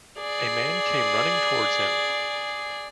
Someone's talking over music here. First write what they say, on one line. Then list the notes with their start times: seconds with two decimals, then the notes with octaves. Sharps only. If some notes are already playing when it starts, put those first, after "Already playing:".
A man came running towards him.
0.20 G#4 D5